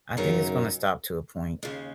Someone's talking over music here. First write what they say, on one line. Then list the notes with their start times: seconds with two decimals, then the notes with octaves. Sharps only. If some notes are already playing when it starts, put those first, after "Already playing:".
I think it's gonna stop to a point
0.17 F#2 C#3 F#3 B3 D#4 A#4
1.63 D#2 C#3 G#3